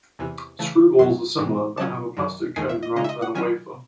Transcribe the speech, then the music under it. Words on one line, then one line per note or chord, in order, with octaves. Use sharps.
Screwballs are similar but have a plastic cone rather than a wafer.
E2 C3 E3
C#3 E3 A3 A5
F#2 D#3 F#3 C6
A2 E3 G#3
C#3 F#3 C#4 A5
F#2 D#3 F#3
E2 D#3 A3 D#4 G#5
E5
D#5
C#3 G#3 D#4 D#5
E5
D#5
F#5
D#3 F#3 C#4 E4 G#5